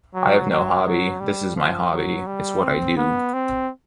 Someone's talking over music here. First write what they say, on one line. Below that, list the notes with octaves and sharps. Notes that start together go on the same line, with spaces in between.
I've no hobby, this is my hobby - it's what I do.
F#3
F#3
F#3
G3
F3
F#3
G3
C4
B3
C4